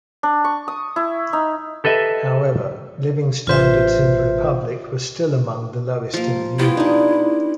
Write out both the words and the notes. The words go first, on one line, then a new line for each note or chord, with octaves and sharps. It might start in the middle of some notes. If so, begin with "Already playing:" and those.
However, living standards in the republic were still among the lowest in the Union.
D4
C#6
D#6
E4
D#4
G4 A4 B4 D#5 E5
A1 F4 B4 C5 E5
F3 A#3
B3 E4 F4 G4
D4 D#4